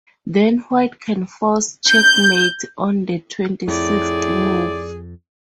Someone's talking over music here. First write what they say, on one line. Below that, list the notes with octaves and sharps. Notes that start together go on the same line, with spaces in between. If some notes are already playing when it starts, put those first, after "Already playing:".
Then White can force checkmate on the twenty-sixth move.
G6
F2 A2 G#4 D5